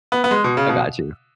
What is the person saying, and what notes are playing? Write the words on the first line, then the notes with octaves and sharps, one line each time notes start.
I gotchu."
B3
B3
G#3
B2
C#3
B2